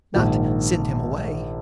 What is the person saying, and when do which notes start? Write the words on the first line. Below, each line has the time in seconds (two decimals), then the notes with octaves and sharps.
"Not--send him away?"
0.14 A#1 G#2 D#3